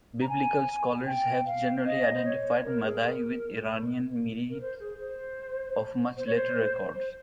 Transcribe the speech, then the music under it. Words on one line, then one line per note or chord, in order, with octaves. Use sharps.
Biblical scholars have generally identified Madai with the Iranian Medes of much later records.
A#5
G#5
G5
F5
D#5
C5
C#5
A#4
G#4
A#4
A#4
C5
G#4
C5
C5
C#5
C5
C5